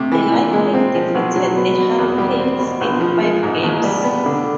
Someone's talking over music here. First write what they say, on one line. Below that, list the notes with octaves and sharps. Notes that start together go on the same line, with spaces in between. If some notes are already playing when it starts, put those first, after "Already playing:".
The Lightning defeated the Hurricanes in five games.
Already playing: C3 A3
E3
A#2
G#3
C4
F3
B1
F#3
B3
B2
E2
G3
C4
B2
A#1
F3
G#3
G#2
D#2
G3
B3
D3